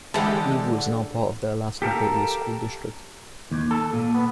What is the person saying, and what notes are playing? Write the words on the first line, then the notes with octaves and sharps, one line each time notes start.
Eagle is now part of the Alaska Gateway School District.
D3 E3 G#3 G4 A4 F#5
G4 A4 A#4 F5
D#2
A4
A#2
B3